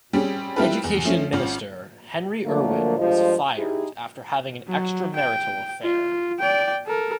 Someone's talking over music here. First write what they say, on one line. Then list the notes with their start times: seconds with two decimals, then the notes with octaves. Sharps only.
Education minister Henry Irwin was fired after having an extramarital affair.
0.13 G3 C4 C#4 G#4
0.56 G3 C4 E4 F4 A4 B4
0.84 E2
1.04 F3 A3 C#4
1.33 G#1 C#4 F4
2.46 D3 F3 F#3 A3 A#3
2.98 G2 F3 G#3 F4 C5 D#5
3.57 D#4 E4 G4 G#4
4.68 F#3
5.16 G5
5.83 F4
6.40 D5 G5
6.87 A4 A#4